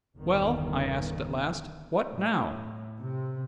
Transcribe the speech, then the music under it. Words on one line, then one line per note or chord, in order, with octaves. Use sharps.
"Well," I asked, at last, "what now?"
G1 E2 A#2 D3 D#3 B3
A2
C3